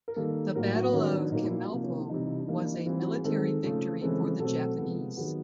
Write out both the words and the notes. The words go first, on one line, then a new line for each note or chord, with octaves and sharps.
The Battle of Chemulpo was a military victory for the Japanese.
A#4
D#3 G3 A#3 A4
A2 F#3 A#3 A#4
F#4
D#3 F#3 B3 C#4
D4
A#2 F#3 A#3 D#4
E4
F4
C3 F3 A#3 D#4
C#4
E4
C3 E3 G3 D#4
D4
E3 G3 A#3 D#4
D4
D#4
E3 G3 C4 F4
F#4
G#4
D#3 G#3 C4 A4
C#3 F3 A3
C#3 E3 G#3 C4 A4
B2 F#3 A3 C4 A4
C3 F3 G#3 B3
D#3 F#3 B3 G#4